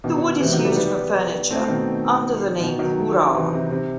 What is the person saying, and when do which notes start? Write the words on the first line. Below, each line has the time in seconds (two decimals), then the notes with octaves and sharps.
The wood is used for furniture under the name "hura".
0.04 B2 D#3
0.40 C3 E3
0.52 D#3 F#3
0.65 E3 G3
0.77 G3 B3
1.50 A3 C4
1.68 B2 D#3
2.61 B2 D#3
2.79 D#3 F#3
3.34 C3 E3
3.53 C3
3.71 C3